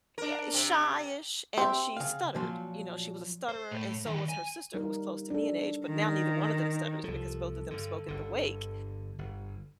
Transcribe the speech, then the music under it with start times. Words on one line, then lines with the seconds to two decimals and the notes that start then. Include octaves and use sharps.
eh, shy-ish and she stuttered, you know, she was a stutterer and so was her sister who was close to me in age, but now neither one of them stutters, because both of them spoke at the wake,
0.18 D4 A#4
0.54 C3
1.58 C4 G4 E5
1.97 C#3 F5
2.35 A#2 F3 F#3
3.49 C5
3.71 A2
4.05 D#3 E3
4.29 G#5
4.74 G3 D#4 A#4
5.30 D4 A4
5.87 D#3
7.04 C2 F3 A4
7.70 G2 D3
8.08 G1 D3
9.19 G1